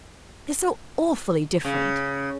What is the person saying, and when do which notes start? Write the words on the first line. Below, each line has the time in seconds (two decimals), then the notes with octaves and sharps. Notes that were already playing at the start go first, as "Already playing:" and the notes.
They're so awfully different!'
1.65 C#3